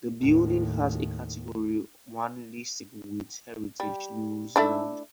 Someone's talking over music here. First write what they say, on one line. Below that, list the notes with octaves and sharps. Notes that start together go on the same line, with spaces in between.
The building has a Category One listing with Heritage New Zealand.
D#2 A2
G3
A3 D4 E4